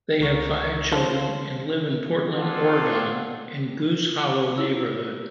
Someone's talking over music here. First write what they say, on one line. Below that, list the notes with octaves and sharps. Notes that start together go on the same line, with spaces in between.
They have five children, and live in Portland, Oregon in the Goose Hollow neighborhood.
C#2 A#4 C#6
D3 F3 C5
C4 D4 F4 G#4 A4 F#5
E4 F4 E6